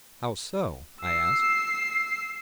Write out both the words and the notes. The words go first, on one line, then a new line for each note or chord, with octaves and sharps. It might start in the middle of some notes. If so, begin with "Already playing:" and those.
"How so?" I asked.
E6 C7